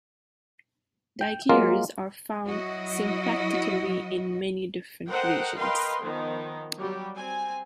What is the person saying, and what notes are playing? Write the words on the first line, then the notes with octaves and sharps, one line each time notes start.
Duikers are found sympatrically in many different regions.
G5
F#3 G#3 A#3 F4 A#4
F#3 E4 F#4 D#5
A4 A#4 C5 D#5 F#5 G5
A#4 B4 D#5 F5 G5 C6
D#3 F3 B3 D#4
F#3 G3 G4
C4 G#5